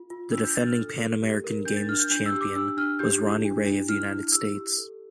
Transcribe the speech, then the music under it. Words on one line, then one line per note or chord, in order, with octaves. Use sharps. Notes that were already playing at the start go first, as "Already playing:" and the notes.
The defending Pan American Games champion was Ronnie Ray of the United States.
Already playing: F4
F4
D4 E6
G6
D4 A6
F6
A4
A4
G4
A#4
D4 G6
A6
D4 F6
G6
D4 G6
E6
G4
D6
D4 E6
D4 F6
G4 G6
E4
D4
D4
E4 F6
E4
G4 E6
G4
A4